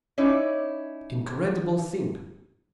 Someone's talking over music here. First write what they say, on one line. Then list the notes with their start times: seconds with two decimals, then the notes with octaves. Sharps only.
Incredible thing!
0.18 C#4 D#4 E4 C#5 D5